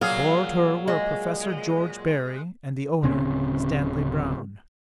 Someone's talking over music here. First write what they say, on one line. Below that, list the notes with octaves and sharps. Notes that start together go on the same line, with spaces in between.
Aboard her were a Professor George Berry and the owner, Stanley Browne.
A#2 F#3 G#4 F5
G#3
D1 C#3 C4 C#4